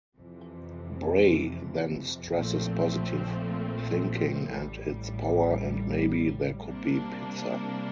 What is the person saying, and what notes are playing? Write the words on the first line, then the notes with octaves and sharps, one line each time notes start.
Bray then stresses positive thinking and its power and maybe there could be pizza.
F2 C3 E3
A#1 A#2 F3 A3 C4
A1 A2 G3
C3 G3 A#3 D4